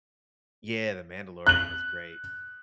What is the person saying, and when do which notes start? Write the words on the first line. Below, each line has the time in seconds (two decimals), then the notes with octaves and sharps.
Yeah, The Mandalorian is great.
1.47 F#6 F#7